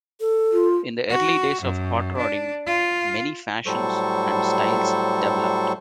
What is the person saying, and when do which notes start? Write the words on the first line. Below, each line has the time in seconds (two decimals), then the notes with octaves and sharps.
In the early days of hot rodding, many fashions and styles developed.
0.20 A4
0.52 F4
1.10 F#4
1.62 F#2
2.18 D4
2.66 F4
3.66 A2 F#3 G3 A4 C5 C#6